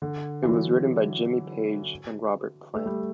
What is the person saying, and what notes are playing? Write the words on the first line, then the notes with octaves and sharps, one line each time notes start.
It was written by Jimmy Page and Robert Plant.
D3
E3
F#3
A3
G3